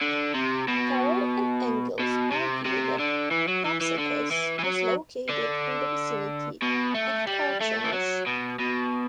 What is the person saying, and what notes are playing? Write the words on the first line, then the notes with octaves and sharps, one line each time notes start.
Farrell and Engels argue that Thapsacus was located in the vicinity of Carchemish.
D3
C3
B2
B2
C3
C3
D3
E3
F#3
E3
E3
D3
E3
E3
F#3
D3
B2
A3
G3
A3
E3
F#3
B2
B2